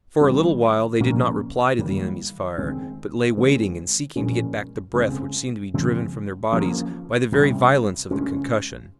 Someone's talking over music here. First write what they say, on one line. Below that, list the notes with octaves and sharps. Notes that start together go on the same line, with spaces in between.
For a little while they did not reply to the enemy's fire, but lay waiting and seeking to get back the breath which seemed to be driven from their bodies by the very violence of the concussion.
D#3 G3 C4
A#2 F3 A#3 C#4
D#3 G3 A#3
D#3 G#3 C4
D#3 G#3 C4
A#2 F3 G#3 C#4
C#3 G#3 C4
C#3 F3 G#3 C4
F3 A#3 C#4
C3 G3 A#3 C#4
C#3 G#3 C#4